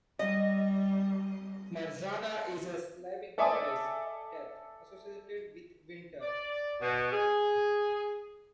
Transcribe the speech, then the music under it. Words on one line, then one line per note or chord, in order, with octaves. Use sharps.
Marzanna is a Slavic goddess of death, associated with winter.
G3 D#5
A4 D5 E5 G#5 D6 D#6
D5
B2
G#4